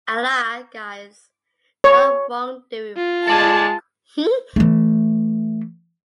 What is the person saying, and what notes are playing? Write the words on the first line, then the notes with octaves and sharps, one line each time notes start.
Allah guides not wrongdoing folk.
C#5
F4
G#3 A4 D5 G#5 A5
E3 A3